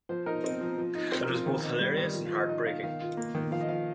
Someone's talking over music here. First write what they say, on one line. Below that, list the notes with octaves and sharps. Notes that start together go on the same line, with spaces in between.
It was both hilarious and heartbreaking.
F3 C5
D#4 A#4
C4 D#5
F3
F3
D#4
C4 C5
A#4
F3
F4
D#3 F4
D#4
G3
D#3
F3
F4
F3
D#5
D#4 D#5
D#4 F5
D#3 F5
F4
A#3
D#3
F3 F5
D#5
F3 F5